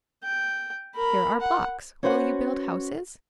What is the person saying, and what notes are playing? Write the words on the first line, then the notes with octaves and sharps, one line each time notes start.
"Here are blocks; will you build houses?"
G5
A#4 B5
F#5
C#4 F#4 B4 C5 E5 F#5